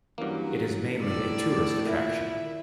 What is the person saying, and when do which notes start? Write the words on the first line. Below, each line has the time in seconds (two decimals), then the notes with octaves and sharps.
It is mainly a tourist attraction.
0.18 G2 E3 F#3 A#3 C#4 F#4
1.02 A2 D#3 C4 D5 E6
1.86 A#2 E4 E5